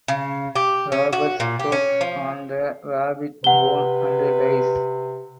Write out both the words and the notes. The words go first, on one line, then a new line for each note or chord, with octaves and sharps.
Roberts chokes on the rabbit bone and dies.
C#3
G4
C#4
F#4
A#2
G4
C#4
F3
C3 B4 F#5 G7